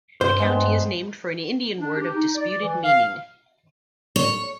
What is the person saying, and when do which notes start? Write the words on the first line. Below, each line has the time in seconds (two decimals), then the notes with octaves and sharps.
The county is named for an Indian word of disputed meaning.
0.21 G2 C5
0.39 G#3 B3 A5
1.80 D4
1.97 G4
2.16 D#4
2.35 D5
2.62 E3
2.84 F5
4.16 C#5